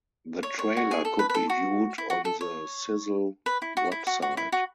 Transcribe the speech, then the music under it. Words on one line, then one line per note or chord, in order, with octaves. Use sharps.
The trailer could be viewed on the Zizzle website.
C#5
C#5
F#4
G#4
A4
B4
B4
A4
F#4
E4
F#4
A4
C#5
B4
E4
F#4
E4
F#4
F#4
E4
F#4